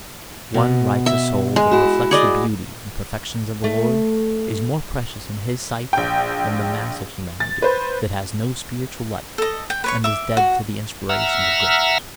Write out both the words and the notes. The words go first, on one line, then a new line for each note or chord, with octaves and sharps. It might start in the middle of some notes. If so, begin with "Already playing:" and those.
One righteous soul that reflects the beauty and perfections of the Lord, is more precious in His sight than the mass of humanity that has no spiritual life, and is dead to the inspirations of grace.
B2
E5
G#3
E4 F#4
G#4 D5 D#5
A3
A#1 G5
A6
B4 C5
A4 D#5
G5
B4 C#5 C#6
E5 D6
F#4
E5 F#5 A#5 E6 F6